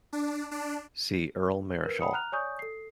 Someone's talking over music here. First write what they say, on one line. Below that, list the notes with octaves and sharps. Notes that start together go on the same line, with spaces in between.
See Earl Marischal.
D4
D4
A#4 B4
F#5 G5 B5 D#6 C#7
A#5 F6 F#6 F7
C#5 D5 G#5 C#6 D#6 G6
A4 C7